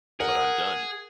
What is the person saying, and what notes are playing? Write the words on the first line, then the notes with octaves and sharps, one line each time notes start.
But I'm done.
G#4 A#4 F#5